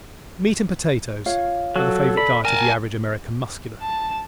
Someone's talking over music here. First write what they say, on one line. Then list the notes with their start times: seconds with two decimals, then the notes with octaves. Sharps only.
"Meat and potatoes" are the favorite diet of the average American Muscular.
1.26 F4 C#5 F5
1.76 F#3 F#4 A4
2.17 D5 B5
2.45 A#4 G#5 A5
3.82 A5